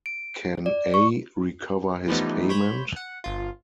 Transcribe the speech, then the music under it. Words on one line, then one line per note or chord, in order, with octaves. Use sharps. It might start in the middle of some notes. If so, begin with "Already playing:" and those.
Can A recover his payment?
D7
D5
C#6
E3 F3 G3 A3 B3 D#4
C5 C#5 B5 G6
F#5
G1 F4